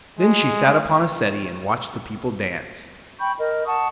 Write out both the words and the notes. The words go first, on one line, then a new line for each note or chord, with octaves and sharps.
Then she sat upon a settee and watched the people dance.
G#3
G5 B5 C#6 G6
A#4 D#5
F#5 A5 C#6 D#6